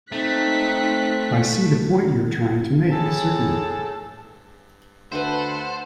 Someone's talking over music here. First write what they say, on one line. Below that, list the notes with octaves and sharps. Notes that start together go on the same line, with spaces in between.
I see the point you are trying to make, certainly.
A3 C4 D#4 F#6 B6
A2 G#4 A4 A5
D2 B4 C5 E5 F#5 A5